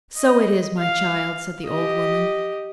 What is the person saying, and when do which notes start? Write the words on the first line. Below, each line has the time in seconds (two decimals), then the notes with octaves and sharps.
"So it is, my child," said the old woman.
0.17 D#5
0.79 F5
1.66 G4 D#5